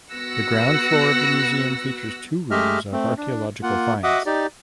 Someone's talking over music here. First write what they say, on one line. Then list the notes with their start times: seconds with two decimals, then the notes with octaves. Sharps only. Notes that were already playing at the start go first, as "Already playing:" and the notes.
The ground floor of the museum features two rooms of archaeological finds.
0.12 B3 F#4 E6 F#6 A#6 C#7
2.51 G#3 A3 G4 D#5 E5 F6
2.92 A3 C4
3.18 D4
3.63 A#3 F4 F#5
4.03 F#4 D#5 E5 F#5 D6 D#6
4.26 D#4 G4 D5